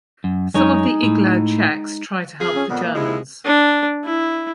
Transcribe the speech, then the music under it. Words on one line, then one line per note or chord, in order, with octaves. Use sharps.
Some of the Iglau Czechs try to help the Germans.
F#2
F#2 G#3 D#4 C#5
A2
F2 F4 G#4
C#4
F2 A#2 B3
A#3
D#2 F3 G#3 E4
D4
E4